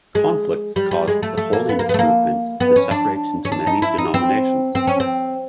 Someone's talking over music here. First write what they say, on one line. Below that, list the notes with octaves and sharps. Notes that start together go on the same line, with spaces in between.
Conflicts caused the holiness movement to separate into many denominations.
G#3
G3
G3
G#3
A3
A3
A#3
B3
A#3
B3
A3
A#3
B3
C#4
D4
C#4
D4
D#4
E4
D#4
C4
C4
C#4
C4